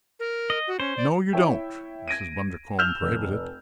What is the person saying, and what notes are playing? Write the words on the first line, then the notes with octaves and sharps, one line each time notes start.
"No, you don't!" Mrs. Bundercombe prohibited.
A#4
D#5
F#4
C#4 C5
D5
E4 C#5 E5 G5
G#6 A#6 D7 D#7
E6 F6 G6 E7 F7
F1